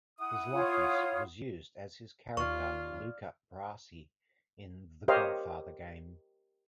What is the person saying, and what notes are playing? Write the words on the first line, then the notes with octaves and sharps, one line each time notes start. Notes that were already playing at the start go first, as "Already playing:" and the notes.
His likeness was used as his character Luca Brasi in "The Godfather Game".
E4 F#5 D#6
F4 C#5
D#2 F4 D5 C#6 F6
G4 A#4 C5 C#5 D#5 F5